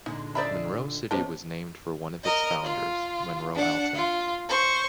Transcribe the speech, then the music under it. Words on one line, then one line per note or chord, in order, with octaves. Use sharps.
Monroe City was named for one of its founders, Monroe Alton.
A#2 D3 G#3 D#4
G#4 C5 D5 E5 A#5 B5
E3 B3 C#4 D#4 G4 C5 C#5 A5
A#4 D#5
F4
D4 F#5
F4
C5 C#6